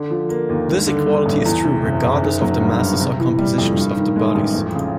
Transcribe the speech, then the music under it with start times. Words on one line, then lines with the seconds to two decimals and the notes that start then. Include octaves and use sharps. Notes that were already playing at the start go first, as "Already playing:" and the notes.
This equality is true regardless of the masses or compositions of the bodies.
Already playing: D3
0.10 F3
0.29 A#3
0.49 D#2
0.68 G2
0.87 D3
1.07 G3
1.26 A1
1.45 E2
1.64 C3
1.84 F#1
2.03 F#1
2.22 D#3
2.42 F#3
2.61 G2
2.81 G2
3.00 C3
3.20 E3
3.38 G3
3.58 F2
3.77 G2
3.96 D#3
4.16 G#3
4.35 A1
4.54 F2
4.74 C#3